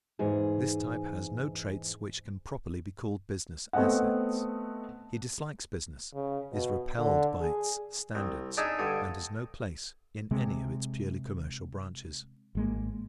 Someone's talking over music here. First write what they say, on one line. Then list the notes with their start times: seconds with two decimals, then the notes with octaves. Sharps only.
This type has no traits which can properly be called business assets. He dislikes business, is repelled by its standards and has no place in any of its purely commercial branches.
0.19 E2 G#2 G#4
3.73 A3 B3 C4 D#5 F#5
6.14 C#3
6.53 B2
6.98 D3
7.40 G#4
8.15 C2
8.57 D4 D#4 G#4 E5
8.79 G2 D3 D#6
10.31 C3 G#3
12.55 G#1 G#3 A#3